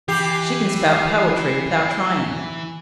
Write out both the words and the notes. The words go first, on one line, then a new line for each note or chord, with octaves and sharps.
"She can spout poetry without trying."
E3 G4 C7